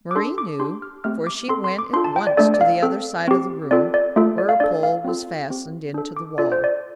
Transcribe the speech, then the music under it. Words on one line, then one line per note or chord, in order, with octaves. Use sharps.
Mari knew, for she went at once to the other side of the room where a pole was fastened into the wall.
D6
D4 A4 C6
D6
D4 G4 C6
F6
A3 C4 G4 F6
D6
C4 A4 C6
C6
D6
D4 F4 A4 C6
A5
G5
D5
A3 D4 A4 D5
D5
F5
C4 A4
C4 G4
C4 F4 A4 D5
D5
A3 F4 A4
D5
F5
D4 A4 D5
F5
C4 F4 A4
C4 G4
D4 A4
D6
D4 F4 A4 D5
C5
D5